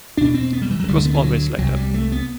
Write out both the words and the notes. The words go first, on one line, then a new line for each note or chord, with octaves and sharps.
It was always like that.
E2 B2 D4
C4
B3
G3
E3
F#3
D2 D3 G3
A3
B3
E3
F#3
C2 C3 F#3
G3
A3
B3